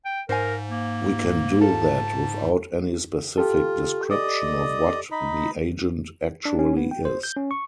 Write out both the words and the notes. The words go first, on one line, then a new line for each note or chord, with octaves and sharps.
We can do that without any specific description of what the agent actually is.
G5
G#2 A#4 C5 F5 G#5
A#3
D#4 F4 A4 A5
F4 G4 A4
D5 D#5 D#6
D#4 D#5 B5
D4
C#4
B3
G5
C5
G6
C#4
C#6